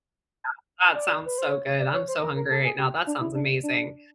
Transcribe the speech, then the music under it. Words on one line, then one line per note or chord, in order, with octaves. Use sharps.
yeah, that sounds so good, I'm so hungry right now, that sounds amazing.
D5
B4
C5
C#5
C#5
D5
C#5
C5
A#4
A#4
A4
G#4
G4
D4
E4
D4
D4